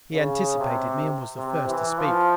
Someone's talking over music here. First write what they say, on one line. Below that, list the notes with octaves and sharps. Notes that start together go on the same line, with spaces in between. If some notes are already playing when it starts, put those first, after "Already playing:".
He anticipated me, and was the first to speak.
C#3
C3
C3
E3
F3